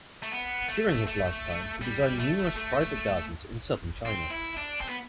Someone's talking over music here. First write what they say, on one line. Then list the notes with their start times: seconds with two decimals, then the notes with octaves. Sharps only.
During his lifetime, he designed numerous private gardens in Southern China.
0.23 A3
0.32 B3
0.69 A3
1.07 A3
1.82 G3
2.19 A3
2.56 A3
4.06 C4
4.30 E4
4.56 D4
4.81 C4
4.88 B3